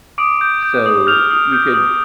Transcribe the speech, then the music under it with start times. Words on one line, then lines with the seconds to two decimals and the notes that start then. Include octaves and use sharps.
so, you could
0.18 D6 D#6 D7
0.41 G6
0.63 G6
0.86 D#6
1.07 F6 G6 F7
1.30 D#6
1.52 G6
1.74 D#6